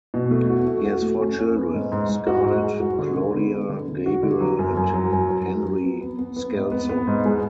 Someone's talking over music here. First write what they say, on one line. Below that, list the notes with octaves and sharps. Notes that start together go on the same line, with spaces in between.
He has four children: Scarlett, Claudia, Gabriel, and Henry Scalzo.
B2
A3
F#4
A3
F#4
A3
C#4
C#4
B3
G#2
G#2
G#2
F#4
G#2
G#3
F#4
D3
D3
B3
G#3
D3
D3
F#4
D3
F#3
F#2
F#2
F#3
F#2
F#2
F#3
F#3
B3
B3
B3
B3
G#2
B3
B3
G#2
G#3